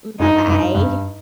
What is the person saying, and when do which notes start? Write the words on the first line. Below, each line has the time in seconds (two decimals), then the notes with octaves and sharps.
M Bye-bye.
0.19 G2 D#4
0.48 G2
0.75 G2